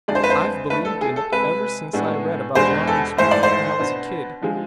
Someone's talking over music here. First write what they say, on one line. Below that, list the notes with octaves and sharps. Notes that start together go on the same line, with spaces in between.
I've believed in it ever since I read about Rhine's work, when I was a kid.
F2 D3 G#3 D5
C5
B4
C5
D3 A3 D4 B4
A4
G#4
A4
C3 G#3 C4 B4
A2 G#3 B3 D4
E2 B2 G#3 D4 C5
A4
G#2 E3 A3 C5
D5
C5
B2 B3 D4
D3 F3 G#3